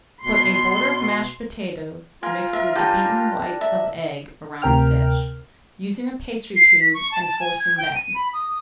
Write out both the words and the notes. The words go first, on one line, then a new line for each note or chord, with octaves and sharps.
Put a border of mashed potato mixed with the beaten white of egg around the fish, using a pastry tube and forcing bag.
B2 C6
F4 A#4 G#5
A#4 E5
G3 D4 G4 G5 G#5
E5
D2 C3 A#4 G5 F6
C7
B6
C#6
A5
A5
G#5
G#6
G5
D#7
B5
D#6